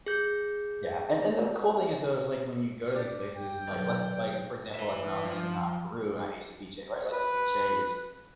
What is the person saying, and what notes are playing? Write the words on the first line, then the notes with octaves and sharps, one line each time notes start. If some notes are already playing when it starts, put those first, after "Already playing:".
Yeah, and and the cool thing is, though, is, like, when you go to these places and like, let's like, for example, like, when I was in, uh, Peru and I ate ceviche, right? Like ceviche is
G#4 G6
D4 G4
G5
B1 D#3
B4 E5
F3
B4